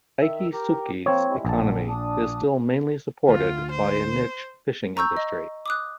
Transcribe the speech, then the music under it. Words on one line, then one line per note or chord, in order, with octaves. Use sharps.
Ikitsuki's economy is still mainly supported by a niche fishing industry.
D#3 E5
G4 A#4
F3 A#3 C4 C#5
G3 G#3 E4
A#1 F#2 D3 A5
D4 D#6
D2 F4
C5
A#5 C#6 E6 G6
D#5
D6 D#6 F#6